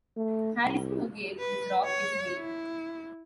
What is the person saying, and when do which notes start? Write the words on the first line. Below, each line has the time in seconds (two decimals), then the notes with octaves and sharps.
Harrison who gave this rock its name.
0.17 A3
0.65 C2
1.39 B4
1.84 C#5
2.37 E4